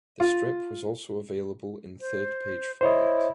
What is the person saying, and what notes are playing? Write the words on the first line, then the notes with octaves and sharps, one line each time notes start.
The strip was also available in third page format.
F4
C5
E4 C5 C#5 D#5